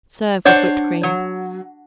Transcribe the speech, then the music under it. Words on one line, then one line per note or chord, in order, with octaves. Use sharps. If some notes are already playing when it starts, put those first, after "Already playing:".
Serve with whipped cream.
D4 C5 C#5 F#5
F#3